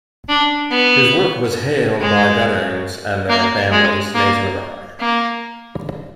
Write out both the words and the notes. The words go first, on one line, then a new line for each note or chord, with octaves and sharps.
His work was hailed by veterans and their families nationwide.
D4
B3
G#3
A#3
G#3
A#3
A#3